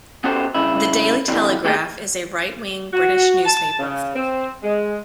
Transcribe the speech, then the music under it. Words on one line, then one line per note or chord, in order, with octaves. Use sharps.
The Daily Telegraph is a right-wing British newspaper.
B3 C#4 F#4 G4 A4 C5
G2 C#3 E4
D3 E3 G3 C4
A3 A#3 D#4 G4 G#4 G5
F#4
A5
C#3
C4
G#3